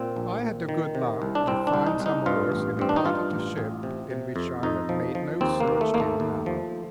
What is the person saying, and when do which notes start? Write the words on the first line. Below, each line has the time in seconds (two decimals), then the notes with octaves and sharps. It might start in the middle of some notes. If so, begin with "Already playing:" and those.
I had the good luck to find some oars in a part of the ship, in which I had made no search till now.
Already playing: A#2 C4
0.17 A#1
0.43 A#2
0.69 D#3
0.95 C3
1.22 C2
1.35 D4
1.47 C2 C4
1.67 D4
1.73 C2
1.87 D#4
2.00 C2
2.06 D#4
2.26 G2 F4
2.52 A1
2.79 G2 C4
2.89 D4
2.96 D#4
3.05 G2 F4
3.31 A1
3.58 A1
3.83 C3
4.10 C3
4.36 F2
4.63 F2 D#4
4.89 F3
5.15 F3
5.41 D#2 C4
5.60 A#3
5.68 D#2
5.81 A3
5.94 D#2 A#3
6.00 A3
6.20 D#2
6.46 F3